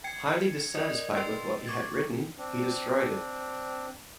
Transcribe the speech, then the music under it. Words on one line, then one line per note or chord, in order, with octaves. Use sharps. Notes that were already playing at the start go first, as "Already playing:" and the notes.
Highly dissatisfied with what he had written, he destroyed it.
G5 G#6 C#7
A#4 D5 D#5
B4 G5 C6 A6
C#6 D6 G#6 A6
C4 D4